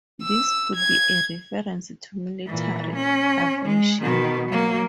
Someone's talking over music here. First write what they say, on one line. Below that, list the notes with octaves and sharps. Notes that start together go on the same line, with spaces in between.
This could be a reference to military aviation.
E6
G#6
A#2 E3
C#4
G#3
B2 D#3
F#3 A#3